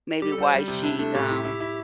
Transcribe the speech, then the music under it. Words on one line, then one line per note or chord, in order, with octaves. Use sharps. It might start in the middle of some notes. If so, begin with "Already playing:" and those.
maybe why she, um,
G3 G4
A4
G3 C5
G3
C3
D4 E4
A3 D4
A2 G4
E4
E4
E4